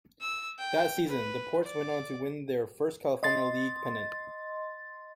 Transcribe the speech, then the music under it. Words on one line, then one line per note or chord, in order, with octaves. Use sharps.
That season, the Ports went on to win their first California League pennant.
E6
G5
B4
D5
D#5 C6 A6